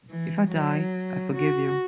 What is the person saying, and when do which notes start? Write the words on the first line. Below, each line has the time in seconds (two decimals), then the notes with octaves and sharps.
If I die, I forgive you.
0.11 E3
0.52 F#3
1.36 F#4